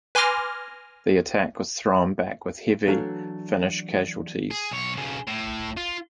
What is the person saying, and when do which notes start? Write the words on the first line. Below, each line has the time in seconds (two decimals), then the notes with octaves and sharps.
The attack was thrown back with heavy Finnish casualties.
0.15 B4 G#5 C6 D6 F6 A#6
2.88 E3 F#3 A3 D4 A4 F5
4.51 G#4
4.71 B1 C#5
4.98 B1 C#3
5.28 A2
5.77 F4